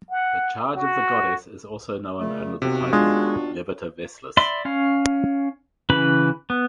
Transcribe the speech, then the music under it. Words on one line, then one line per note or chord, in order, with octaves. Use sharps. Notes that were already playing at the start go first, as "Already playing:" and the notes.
The Charge of the Goddess is also known under the title "Leviter Veslis".
F#5
F#4
A#2 C#3 A3
D#2 C3 B3 F#4
G#3 D4 F4
D5 E5 B5 C6
C#4 F5
C#3 E3 C#4 B4 B5
B3